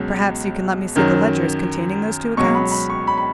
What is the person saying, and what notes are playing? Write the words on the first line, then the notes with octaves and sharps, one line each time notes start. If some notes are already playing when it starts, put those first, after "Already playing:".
"Perhaps you can let me see the ledgers containing those two accounts?"
Already playing: C#2 B2 F#3
F#2 D#3 F#3
C#2 B2 F#3 C#6
B5
B5
C#6
B5
B5